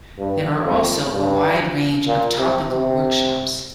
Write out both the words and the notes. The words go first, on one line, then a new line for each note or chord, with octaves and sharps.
There are also a wide range of topical workshops.
G2
F2
G2
A#2
C3
C3